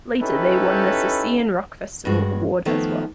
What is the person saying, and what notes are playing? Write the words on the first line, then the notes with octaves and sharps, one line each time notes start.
Later they won the "Sisian Rock Festival" award as well.
C#4 D#4 E4 G4 A4 B4
G2 G#3 F#4
D#3 F3 A3 B3